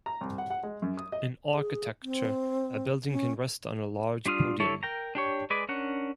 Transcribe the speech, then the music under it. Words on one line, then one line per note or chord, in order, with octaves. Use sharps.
In architecture a building can rest on a large podium.
A#5
C2
F#5
F#5
G#3
F#2
D#6
D#5
G#4
C4
C#4
G3 D4 F4 D#6 F6
D3 G3 E4 A4 C#5
A#4 G5 A#5
D4 G4 C#5
G#3 G#4 B4 D5
C#4 D4 A#4 F#5